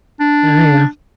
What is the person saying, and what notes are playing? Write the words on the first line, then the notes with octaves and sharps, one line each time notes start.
Oh, yeah.
D4